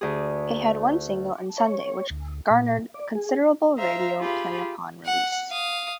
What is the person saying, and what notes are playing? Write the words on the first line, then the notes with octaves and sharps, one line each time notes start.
It had one single in "Sunday" which garnered considerable radio play upon release.
D2 G#4
C#5
D2
A#2
D5
G#4
C5 E5 F5 A#5
F4 G4 G#4 B5
F#5
F5 D#6